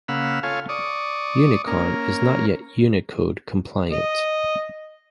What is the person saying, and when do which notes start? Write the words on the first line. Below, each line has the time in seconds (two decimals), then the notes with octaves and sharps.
Unicon is not yet Unicode-compliant.
0.08 C#3 A#3 F5 F#5 B5 E6
0.43 F4 A4 C#5 F5 G#5
0.69 D5 C#6 D#6
1.67 A#3 C#4 A#4
3.92 D#5